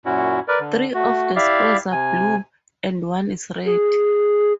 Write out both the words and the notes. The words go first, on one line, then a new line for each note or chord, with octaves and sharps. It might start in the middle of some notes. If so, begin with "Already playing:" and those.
Three of the squares are blue and one is red.
F#2 A#2 C#4 E4 F#4
A#4 B4 D5
D3
A3 F#4
E4 G4 D5 E5 F5
C3 G#5
G#4